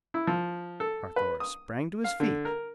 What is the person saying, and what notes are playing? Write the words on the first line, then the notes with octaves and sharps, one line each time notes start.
Carthoris sprang to his feet.
E4
F3
A4
B4
D#6
F5
D3
A#4